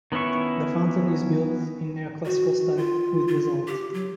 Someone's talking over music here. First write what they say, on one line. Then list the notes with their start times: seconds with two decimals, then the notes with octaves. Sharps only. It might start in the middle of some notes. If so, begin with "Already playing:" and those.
The fountain is built in Neoclassical style with basalt.
0.12 D#3 B3 C#4 E4 C#6
2.25 F#4
2.77 F4
3.28 F4
3.68 G4
3.94 F#3